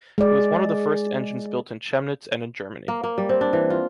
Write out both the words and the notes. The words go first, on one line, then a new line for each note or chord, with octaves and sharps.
It was one of the first engines built in Chemnitz and in Germany.
G#3 D5
A#3
A#3
G3
C4
D4
E3
F4